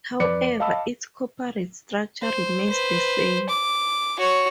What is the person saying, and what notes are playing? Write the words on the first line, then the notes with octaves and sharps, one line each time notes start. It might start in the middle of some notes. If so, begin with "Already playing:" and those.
However, its corporate structure remains the same.
F2 B4 D5 D6 C#7
D#5 F5 A5 B5 E6
C5
B4 C5
D6
F#4 C#5